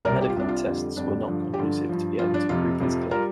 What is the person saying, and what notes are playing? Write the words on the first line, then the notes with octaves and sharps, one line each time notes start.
Medical tests were not conclusive to be able to prove his claim.
C2 C3 G3 A#4 D5
G4
F4
C2 C3 G3 D4
F4
F2 D3 G3
F2 D3 G3 D4
G2 D3 F3
G4
G2 D3 F3 F4
G2 F3
G2 F3 F4
D4
F2 C3 F3 F4
F2 C3 F3
G3 F4 A#4